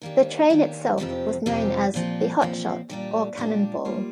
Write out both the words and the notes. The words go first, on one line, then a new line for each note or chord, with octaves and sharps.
The train itself was known as the "Hot Shot" or "Cannonball".
D#3 A#3 D4 G4
D#3 A#3 D4 G4
F2 C3 F3 C4 G4
F2 C3 F3 C4 G4
A#2 F3 C4
A#2 F3 C4
A#2 G3 D4 G4
A#2 G3 D4 G4
G3 A#3 F4